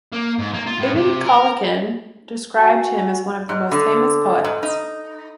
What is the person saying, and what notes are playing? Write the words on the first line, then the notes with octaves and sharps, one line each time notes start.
Ibn Khallikan described him as one of the most famous poets.
A#3
G#2
A#3
F4
A2
C3
A#4
F#4 G#5
G#2
D3
G#2
D#4